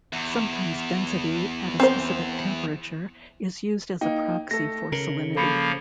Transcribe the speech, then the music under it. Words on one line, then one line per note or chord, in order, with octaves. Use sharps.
Sometimes density at a specific temperature is used as a proxy for salinity.
E2
C4 C5
A#3 D#4 G5
A3 A4 A#6
C#3 A#4
F3 A#3 A4 B5 C#7